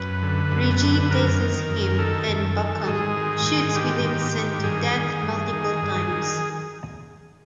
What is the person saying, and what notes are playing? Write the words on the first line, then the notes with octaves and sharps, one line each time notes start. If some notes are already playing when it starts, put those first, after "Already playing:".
Reggie tases him and Bucum shoots Williamson to death multiple times.
Already playing: F#2 B4
D3
F#2
D3
F#2 A#4
D#3
F#2
D#3 A4
F#2
D#3
G#2 G#4
D#3
G#2
D#3 G4
G#2
D#3
G2 G#4
D#3
G2
D#3
G2
D#3